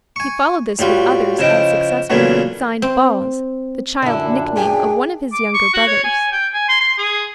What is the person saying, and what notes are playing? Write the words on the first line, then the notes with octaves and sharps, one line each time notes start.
He followed this with others as successful, signed "Boz"--the child nickname of one of his younger brothers.
G#5 C#6
A2 G3 F4 F#4
C#3 F3 E4 D#5 G5
A#2 C#3 E3 F#3 A3 B3
C4
F#2 A#2 D3 D4 E4
G#4 G5 G#5
D6
C#6
F#4
C#5
G#5
G5
G#5
C6
C6
G#4